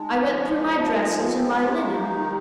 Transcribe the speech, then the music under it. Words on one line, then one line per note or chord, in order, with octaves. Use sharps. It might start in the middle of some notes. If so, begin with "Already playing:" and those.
I went through my dresses, and my linen.
Already playing: G#3 D#4
F3
G#3
F3
G#3 D#4
F3
C4 F4
G#3
A#3 G4
D#4 F4
D#3 G4